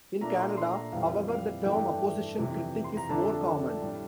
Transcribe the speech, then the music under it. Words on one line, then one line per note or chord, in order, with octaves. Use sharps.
In Canada, however, the term Opposition Critic is more common.
A#2 A3 D4 A#5
C6
C6
A#5
F2 E3 G3 C4 F5
F5
G2 E3 A3 D4 G5
F2 C3 E3
C6
A#5
F2 D3 F3 A3 D4 A5
A2 G3 D4